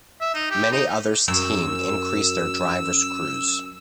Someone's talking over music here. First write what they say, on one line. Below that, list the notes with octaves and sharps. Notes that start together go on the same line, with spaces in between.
Many others team increase their drivers crews.
E5
D#4
G4
D#4
F#2 E6